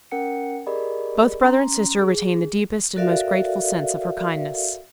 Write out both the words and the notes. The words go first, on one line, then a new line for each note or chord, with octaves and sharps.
Both brother and sister retained the deepest and most grateful sense of her kindness.
C#4 A#4 F#5 G5 C#7
G4 G#4 A#4 D5 D#5 B5
C#4 A#5 C6
G#4
F#4 A4 A#4 D5 E5 F5